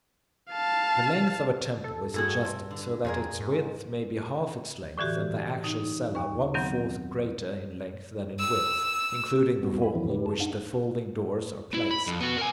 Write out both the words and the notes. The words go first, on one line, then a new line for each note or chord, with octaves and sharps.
The length of a temple is adjusted so that its width may be half its length, and the actual cella one fourth greater in length than in width, including the wall in which the folding doors are placed.
F5 A5
A4
G2 F#4 G#4 A4
C3
D3
F2 A#2 G#4 A#4
G#2
A2 D3 E3 F#4 G4
D#4
D#2 C#6
F#2 D#3 F#3 B3 C4
E6
G3 B3 C4 F#4
G#5 B5
F2 E3 F3 C4 E4
D3 G#3 D#4 G4 B4
F#2 A5
D4 D#4 F5 F#5
E4
B5
F2
B3 F#4
A#4 G#5